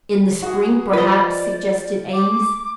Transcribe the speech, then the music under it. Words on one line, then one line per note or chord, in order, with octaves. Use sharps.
"In the spring, perhaps," suggested Eames.
F#4 G#4
F3 B4 D5 D#5
D6